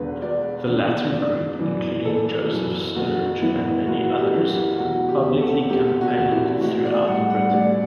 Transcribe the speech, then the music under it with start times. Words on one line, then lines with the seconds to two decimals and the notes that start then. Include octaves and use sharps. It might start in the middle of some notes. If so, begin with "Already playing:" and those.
The latter group, including Joseph Sturge and many others, publicly campaigned throughout Britain.
Already playing: E1 E2 D3 B4
0.22 E1 D5
0.68 E2 D3
1.14 F#1 D5
1.59 F#2 E3
2.05 F#1 A4
2.51 F#2 E3
2.95 F#1 F#4
3.41 F#2 E3 B3 E4
3.87 F#1 F#4
4.18 G4
4.33 F#2 E3 B3
4.48 G4
4.78 E1 F#4
5.09 G4
5.25 E2 C3
5.40 A4
5.70 E1 G4
6.01 F#4
6.16 E2 C3
6.31 E4
6.61 A1 F#4
6.85 D5
7.07 A2 G3 F#5
7.30 F#5
7.52 A1 D5